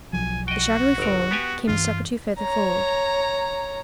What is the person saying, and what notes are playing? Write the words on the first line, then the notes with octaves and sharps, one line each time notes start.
The shadowy form came a step or two further forward.
B1 F3 F#3 G#5
F#4 D#5 G5
G1 A#4
B3 G4 G#5
G2 E3 D4 F4
C#5 A#5